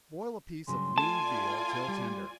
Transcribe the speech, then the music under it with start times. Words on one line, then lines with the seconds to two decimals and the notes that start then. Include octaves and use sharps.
Boil a piece of lean veal till tender.
0.67 G2 C#3 F#3 C6
0.98 A3 F4 D5 G#5 A5
1.88 G3